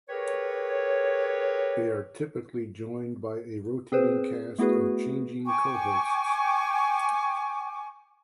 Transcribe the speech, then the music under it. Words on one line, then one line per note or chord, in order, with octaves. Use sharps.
They are typically joined by a rotating cast of changing co-hosts.
G4 G#4 A#4 B4 C#5
C4 G#4 B4 C5
A3 B3 E4 F#4 G#4 B4
G5 G#5 C#6 D6